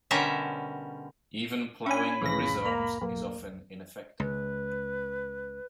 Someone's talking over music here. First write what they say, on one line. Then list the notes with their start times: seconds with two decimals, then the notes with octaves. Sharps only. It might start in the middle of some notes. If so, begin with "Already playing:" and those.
Even ploughing the rhizomes is often ineffective.
0.11 B2 D3 G3 C#4 A#4 E5
1.86 C#4 D4 G#5 B5
2.22 C2 F2 A2 C#3 E3 A#6
2.65 A#3 A#5
3.01 B1 A#3
4.20 C#2 B4